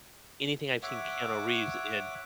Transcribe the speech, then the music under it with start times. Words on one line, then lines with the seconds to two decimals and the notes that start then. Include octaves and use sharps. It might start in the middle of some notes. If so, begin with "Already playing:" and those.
anything I've seen Keanu Reeves in
0.83 C#5 E5 F#5 D6